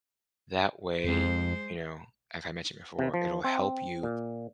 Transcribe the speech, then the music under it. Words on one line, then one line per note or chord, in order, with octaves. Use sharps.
That way, you know, like I mentioned before, it'll help you,
F2 G#3 C5
C3
F3
C4
A#2